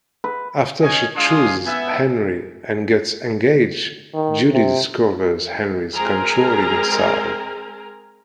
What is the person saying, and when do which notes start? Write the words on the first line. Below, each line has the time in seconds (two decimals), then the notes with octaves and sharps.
After she chooses Henri and gets engaged, Judy discovers Henri's controlling side.
0.24 B4
0.81 C#4 D#5 G#5
1.16 G#3 D4 F5 G#5 C6 D#6
1.66 B3 E5 G#5
4.14 D#3
4.52 C3
5.93 G#3 C4 G#4 A#4 G#5 A#5